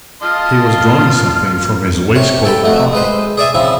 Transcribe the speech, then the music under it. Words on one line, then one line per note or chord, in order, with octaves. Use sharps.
He was drawing something from his waistcoat pocket.
F4 D#5 A5 C6 F6
C3 C#5
A4 G5 B5
F2 A3 F#4
G#3 B4 C5
G#4 D5 E5 G#5
C#3 F3 C4 E4